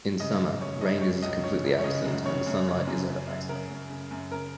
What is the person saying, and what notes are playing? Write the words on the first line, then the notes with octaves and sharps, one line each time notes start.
In summer, rain is completely absent and the sunlight is at a maximum.
C#3 D#5
F#2
C#3 C#5
F#2 D#5
C#3 C#5
C#2 D#5
C#3 C#5
C#2
C#5
C#3 D#5
F#2
C#3 C#5
F#2
C#3
F#2
C#3
F#2
C#3 A#4
F#2
C#3
F#2
C#3 A#4